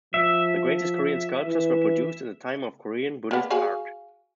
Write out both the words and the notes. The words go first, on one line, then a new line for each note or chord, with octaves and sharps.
The greatest Korean sculptures were produced in the time of Korean Buddhist art.
F3 E5
E3
A#3 B3
F#4 G#4 F5